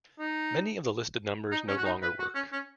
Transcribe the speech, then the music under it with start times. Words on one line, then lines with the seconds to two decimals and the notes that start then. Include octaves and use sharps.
Many of the listed numbers no longer work.
0.18 D#4
1.51 D#4
1.68 C#4
1.77 F#4
1.85 D#4
2.02 B4
2.19 F#4
2.35 C#4
2.52 C#4